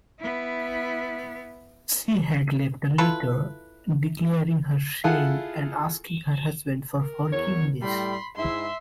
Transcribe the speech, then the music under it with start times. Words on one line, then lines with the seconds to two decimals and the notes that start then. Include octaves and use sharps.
She had left a letter declaring her shame and asking her husband for forgiveness.
0.20 B3 E4
2.98 E4 F4 A4 B4
5.04 E4 F4 G#4 A4 F#5 G#5
7.00 A#4
7.32 E2 C#5
7.82 A2 G3 B5 C6
8.36 G#2 E4 E5 C6